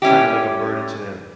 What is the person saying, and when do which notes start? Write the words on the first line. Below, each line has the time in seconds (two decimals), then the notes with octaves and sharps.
kind of, like, a burden to them,
0.02 G3 C#4 E4 G4